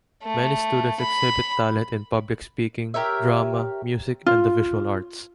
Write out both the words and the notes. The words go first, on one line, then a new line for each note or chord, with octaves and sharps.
Many students exhibit talent in public speaking, drama, music and the visual arts.
A3
B5
G4 A#4 C#5 E5
F4